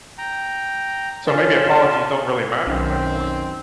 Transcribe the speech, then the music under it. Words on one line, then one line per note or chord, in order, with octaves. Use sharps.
so maybe apologies don't really matter at that point.
G5 A#5
C#3 C#4 F4 C#5 A5
B1 F#2 D#3 C4 C#4